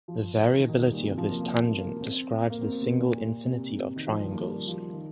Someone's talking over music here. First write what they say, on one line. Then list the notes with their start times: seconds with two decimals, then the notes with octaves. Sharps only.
The variability of this tangent describes the "single infinity of triangles".
0.08 F3
0.57 D#3
0.69 D#3
0.81 G3
0.93 A#2
1.04 C3
1.18 F3
1.29 A#3
1.41 A#3
1.78 A#3
2.02 C4
2.50 A#3
2.61 C4
2.66 A#3
2.82 C3
2.99 A#2
3.46 C3
3.70 C3
3.96 D#3
4.07 F3
4.20 G3
4.31 A#3
4.43 G3
4.68 F3
4.92 D#3